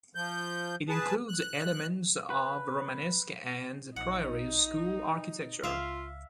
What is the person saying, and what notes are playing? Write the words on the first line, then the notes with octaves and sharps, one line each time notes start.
It includes elements of Romanesque and Prairie School architecture.
F3 G6
G#4 B4 A5
F#6
B4
A#1 D#4 F#5
C#2 F4 E5 F5